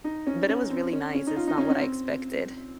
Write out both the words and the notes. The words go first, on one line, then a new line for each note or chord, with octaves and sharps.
but it was really nice, it's not what I expected.
D#4
C#4
C#4
C4
C#4
C#4
D#4
F4
D#4
C#4
C#4
C4